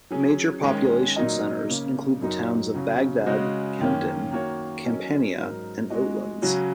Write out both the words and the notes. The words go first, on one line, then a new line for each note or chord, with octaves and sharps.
Major population centres include the towns of Bagdad, Kempton, Campania and Oatlands.
F#3 C#4 G#4
D#3 G#3 C#4
A#2 F#3 D#4 A#4 D#5
C#3 A#3 C#4
F#2 F#3 D#4 F#4 A#4
C#3 F#3 C#4 F#4
C#3 G#3 F#4 D#5
F#2 D#3 A#3 C#4
D#3 A#3 F#4 C#5
F#3 C#4 A#4 D#5
G#2 F#3 D#4 A#4
G#3 F#4 D#5
C#3 F#3 C#4 F#4